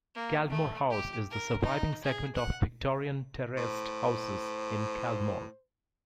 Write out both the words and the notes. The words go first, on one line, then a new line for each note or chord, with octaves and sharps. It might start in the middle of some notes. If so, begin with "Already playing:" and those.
Caldmore House is the surviving segment of Victorian terraced houses in Caldmore.
A#3
A3
G4
A#4
D#4
G#4
F#5
A2 C5